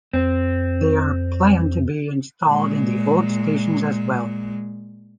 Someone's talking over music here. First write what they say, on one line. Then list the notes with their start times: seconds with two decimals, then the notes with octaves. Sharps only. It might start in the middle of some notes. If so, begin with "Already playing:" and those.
They are planned to be installed in the old stations as well.
0.13 F2 C4
2.46 A#2 G#3